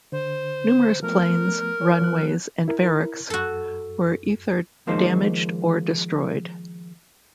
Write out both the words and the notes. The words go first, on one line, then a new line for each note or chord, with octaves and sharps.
Numerous planes, runways and barracks were ether damaged or destroyed.
D3 C5
F3 A3 B3 A#4
C#5
F3 F#6
E4 A#4
F#2 F#4 A4
D#3 F3 G#3 A#3 D#4 C5